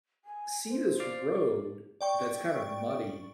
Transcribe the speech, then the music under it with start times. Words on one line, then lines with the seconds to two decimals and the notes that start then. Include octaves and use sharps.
see this road that's kind of muddy,
0.25 G#5
0.70 C5
1.00 D5 F5
2.01 D5 G5 C#6